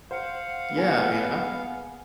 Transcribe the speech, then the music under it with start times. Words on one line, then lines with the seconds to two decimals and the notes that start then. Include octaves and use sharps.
Yeah, I mean, I'm
0.11 C5 F5 F#5
0.76 A#3 B3 G#4 G#5